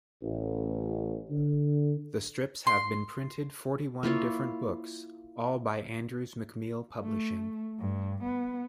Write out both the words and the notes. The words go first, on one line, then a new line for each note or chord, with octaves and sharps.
The strips have been printed forty-one different books, all by Andrews McMeel Publishing.
A1
D3
C6
A#3 E4 F4 C#5
A3
G2
B3